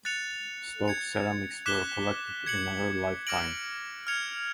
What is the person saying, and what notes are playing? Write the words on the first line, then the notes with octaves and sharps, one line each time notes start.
Stokes ceramics were collected in her lifetime.
F#6 A6 C#7 F7
G#6 C#7 F7
D6 F#6 B6 E7 G7
G#6 C#7 F#7
D6 F6 A#6 D7 F#7
F6 G#6 C#7 F7